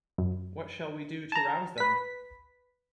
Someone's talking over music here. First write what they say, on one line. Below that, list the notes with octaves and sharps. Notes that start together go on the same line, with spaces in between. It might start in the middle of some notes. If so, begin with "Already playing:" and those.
What shall we do to rouse them?
F#2
A5 A#5
B4 B6